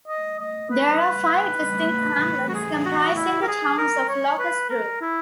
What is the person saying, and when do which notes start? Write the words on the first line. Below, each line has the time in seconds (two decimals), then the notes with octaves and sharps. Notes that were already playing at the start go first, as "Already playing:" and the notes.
There are five distinct hamlets comprising the town of Locust Grove.
0.08 D#5
0.40 D#5
0.71 B4
2.49 F#4
2.54 G#4
2.85 F#4
3.16 E4
3.43 A#4
3.47 G#4
3.78 A#4
4.09 C#5
4.39 B4
4.70 A#4
5.01 E4